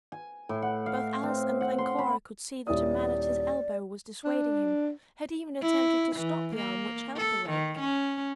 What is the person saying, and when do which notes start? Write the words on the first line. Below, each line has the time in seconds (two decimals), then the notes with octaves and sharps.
Both Alice and Glencora could see that a man at his elbow was dissuading him,--had even attempted to stop the arm which held the rake.
0.12 G#5
0.49 A2
0.62 F#5
0.86 F5
1.23 C4
1.61 F#5
1.78 C6
1.99 B5
2.67 D#1 E4 D5 D#6
4.25 D4
5.61 E4
6.16 E3
6.56 A#3
7.17 A4
7.50 D#3
7.79 C#4